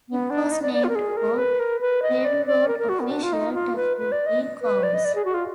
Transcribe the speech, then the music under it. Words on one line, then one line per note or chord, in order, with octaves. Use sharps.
It was named for railroad official W. D. Cowles.
B3
D4
D#4
D5
D5
F4
A#4
G#4
A#4
B4
A#4
B4
D#5
D5
D5
A#4
A#4
F#4
B3
D4
F4
D#4
F4
B4
B4
D5
D#5
B4
D5
D#5
D5
G#4
F#4
F4